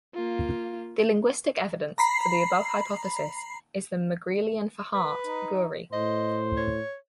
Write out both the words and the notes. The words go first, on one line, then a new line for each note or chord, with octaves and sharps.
The linguistic evidence for the above hypothesis is the Megrelian for "heart" - "guri".
A#3 F4
A#5 B5 C7
B4
D#4
A2 C5 D#5
C#5